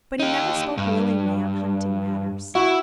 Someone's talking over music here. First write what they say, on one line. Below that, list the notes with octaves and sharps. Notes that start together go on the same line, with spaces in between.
But he never spoke willingly on hunting matters.
D#4 G4
G2
E4 F#4